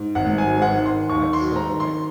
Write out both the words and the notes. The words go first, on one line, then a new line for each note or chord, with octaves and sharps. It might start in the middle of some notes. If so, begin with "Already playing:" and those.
In a world that's so, like
Already playing: G#2
G#1 F#5
G#5
F#3
F#5
D#3
C6
D#2 C#6
C6
F#3
A#5
D#3
C6